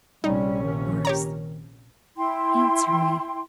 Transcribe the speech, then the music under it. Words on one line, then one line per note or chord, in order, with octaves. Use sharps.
"Doris, answer me."
A#1 C3 G3 C#4 D#4
D#3
G4 C#5 A#5
E4 G5 C6